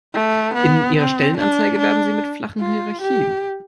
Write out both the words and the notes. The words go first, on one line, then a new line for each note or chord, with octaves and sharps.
In Ihrer Stellenanzeige werben Sie mit flachen Hierarchien.
A3
B3
C4
D4
D4
F4
G4